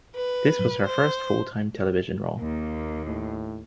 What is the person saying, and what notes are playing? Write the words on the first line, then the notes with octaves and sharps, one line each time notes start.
This was her first full-time television role.
B4
C5
D#2 A#3
A2